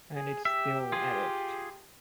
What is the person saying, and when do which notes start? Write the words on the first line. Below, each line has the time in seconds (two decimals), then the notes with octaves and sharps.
And it's still at it.
0.16 G#4
0.45 G4 E5
0.92 F4 G#4